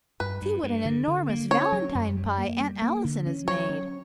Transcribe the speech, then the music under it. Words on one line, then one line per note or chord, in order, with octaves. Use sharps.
"See what an enormous valentine pie Aunt Allison has made!"
G2 B4
G2
G2
D3
D3
A#3
C#4 C#5
F#3
F#2
G3
A#3
G3
A#3
D3
C#4
F#3 C#5
C#4